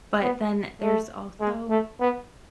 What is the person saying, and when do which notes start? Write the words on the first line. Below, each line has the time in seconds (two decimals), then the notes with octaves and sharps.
but then there's also
0.22 B3
0.82 A3
1.40 G#3
1.70 A3
2.01 B3